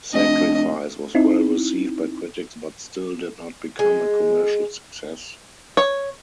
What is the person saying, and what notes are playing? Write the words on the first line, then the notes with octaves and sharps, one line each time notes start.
"Sacrifice" was well received by critics but still did not become a commercial success.
F1 D4 D#5
C4 D#4 E4
G#3
C#5